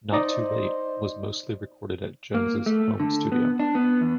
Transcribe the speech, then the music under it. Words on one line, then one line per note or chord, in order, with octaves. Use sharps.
"Not Too Late" was mostly recorded at Jones' home studio.
D#4 C5 D5 D#5
A#3
A3
D3
B3
D4
B3
E2